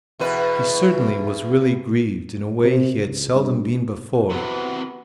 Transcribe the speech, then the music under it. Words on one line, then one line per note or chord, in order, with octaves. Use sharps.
He certainly was really grieved in a way he had seldom been before.
E2 B2 B4
C3
C#2
G2
C3 E3 B3 F#4